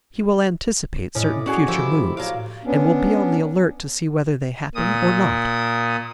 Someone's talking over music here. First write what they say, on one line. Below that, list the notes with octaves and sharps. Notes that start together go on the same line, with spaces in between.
He will anticipate certain future moves, and will be on the alert to see whether they happen or not.
A2 C#4 D5 D#5
C#4 F#4 G#4 D5
D#3 F3 E4 G4
F#3 D5 F5
B3 C#4 D4
A#2 D#6